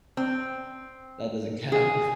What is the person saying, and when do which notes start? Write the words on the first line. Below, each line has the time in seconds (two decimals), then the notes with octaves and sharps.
that doesn't count.
0.17 C4
1.72 G#4